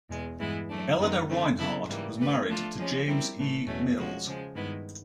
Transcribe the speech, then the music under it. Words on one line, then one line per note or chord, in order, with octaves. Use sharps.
Eleanor Reinhardt was married to James E. Mills.
E2 B2 G#3
G2 E3 G#3 B3 E4
F#3 A3 D4
F#2 D#3 G#3 B3 D#4
D3 F3 A3 C4
C#3 F#3 B3 E4 A4
G#2 E3 G3 A#3
E3 A3 D4 G4 B4
F3 A3 D4 F4 A4
F3 G#3 C#4
G3 C4 E4 G4 A#4
A2 E3 A3
E2 B2 F#3 A3 C#4
F3 G#3 C#4 F#4
C#3 F3 G#3
G2 D#3 G#3 B3 E4